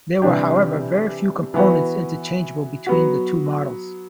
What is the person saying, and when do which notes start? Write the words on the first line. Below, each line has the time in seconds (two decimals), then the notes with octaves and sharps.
There were however very few components interchangeable between the two models.
0.22 C3 E3 G3 D4 G4
1.54 E3 B3 F#4
2.86 F#3 B3 F#4